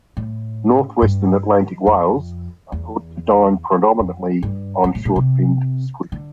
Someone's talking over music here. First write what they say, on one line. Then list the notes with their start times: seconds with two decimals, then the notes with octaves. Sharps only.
Northwestern Atlantic whales are thought to dine predominately on short-finned squid.
0.17 A2
1.02 G2
1.87 F2
2.72 E2
3.99 F2
4.43 G2
4.84 G2
4.95 A2
5.05 A#2
5.16 C3
6.12 D3